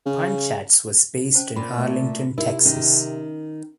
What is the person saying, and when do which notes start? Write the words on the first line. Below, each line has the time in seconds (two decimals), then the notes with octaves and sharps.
Punchatz was based in Arlington, Texas.
0.06 C#3
1.35 C#4 C5 A5
1.56 A#2 B5
1.78 A3
2.38 C3 D#4 E4 A#4
2.65 D#3 C#4